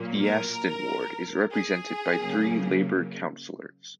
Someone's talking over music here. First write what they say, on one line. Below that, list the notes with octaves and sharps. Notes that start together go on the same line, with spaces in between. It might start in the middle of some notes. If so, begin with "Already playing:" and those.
The Aston ward is represented by three Labour councillors.
Already playing: A#2 F#3 A#3
A#4
G#4
C#3 F#3 A#3